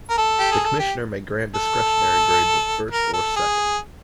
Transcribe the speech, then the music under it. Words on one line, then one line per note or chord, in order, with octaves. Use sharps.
The commissioner may grant discretionary grades of first or second.
A#4
A4
G4
G#4
A4
G4
A4
A#4
A4
G#4